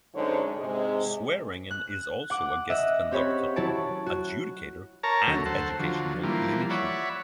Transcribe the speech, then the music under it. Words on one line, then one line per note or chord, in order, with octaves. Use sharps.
Swearingen is also a guest conductor, adjudicator and educational clinician.
F#2 D3 G#3 D#4 C5 C#5
G#2 C3 G#3
F#6
F#5 D6 D7
D#5 E5 F#5 E6
C4 G4 C#5 B5
F#3 E4 C#5 A5 D7
F#4
A#4 C#5 A5 A#5
D2 F#3 A3
A4 C5 F#5
D3 F3 F#3
E3 F3 G3 A#3
C#5 D5 E5 F#5 B5